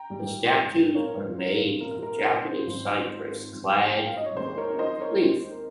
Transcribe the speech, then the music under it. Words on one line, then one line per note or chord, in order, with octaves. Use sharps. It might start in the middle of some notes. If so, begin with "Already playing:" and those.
The statues are made of Japanese cypress clad in gold leaf.
Already playing: G5 A#5
G#1 G#2 G3
A#1 G#2 F3 C4 F4 A#4 C#5
C5
A#4
A#1 G#2 F3 C4 F4 A#4
A#4
A#4
C5
G#1 G#2 F3 C4
G#1 G#2 F3 C4
G5
F5
D#5
C#5
D#2 D#3 G#3 C4 D#4 C5
A#4 C#5
C5 D#5
A#4 C#5
D#2 D#3 G#3 C4 D#4 C5
A#4